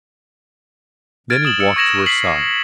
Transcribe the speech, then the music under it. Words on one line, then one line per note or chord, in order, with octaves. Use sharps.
Then he walked to her side.
F6 G#6 A6 D7
D#6 E7 F#7
E6 C#7
C#6 G#6 A#6 E7 F#7
B6 C7 F#7